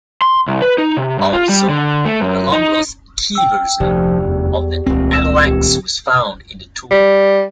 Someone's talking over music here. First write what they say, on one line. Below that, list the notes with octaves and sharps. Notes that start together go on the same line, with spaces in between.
Also the long lost "Qi version" of the Analects was found in the tomb.
C6
C2
B4
D#4
C3
G2
F4
G3
D3
A3
F#2
D#4
G5 E6
F1 D2 F3 G4 D5
E2
D#1 C#2 C4
E6 A#6 E7
G4
G3